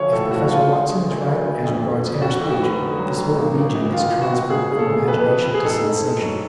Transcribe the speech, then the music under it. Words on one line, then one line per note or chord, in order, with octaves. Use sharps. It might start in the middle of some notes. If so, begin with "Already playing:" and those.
If Professor Watson is right as regards inner speech, this whole region is transferred from imagination to sensation.
Already playing: D2 F3 C#5
A2 A4
F3 F#4
D2 F4
G#3
G#3
D2
D2
D2
F2
D3
F2
F2 F#4
F2
F#4
F1
D3
F#3
F#3
G#1
G#1
G#1
C#2 F4
C#2
F#4
C#2
C#3 G#4
G#3 G#4
A4
D2
F2 B4
F2
F2
G#4
G#2 A4
G#2
G#2
F#3